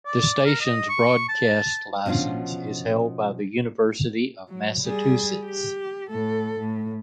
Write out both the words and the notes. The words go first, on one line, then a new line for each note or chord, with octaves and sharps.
The station's broadcast license is held by the University of Massachusetts.
D5
A#4
D#5
C#6
A5
B2 F3 C#4 D4 F4
F#3
G3 G#4
G4
A2 A4
A2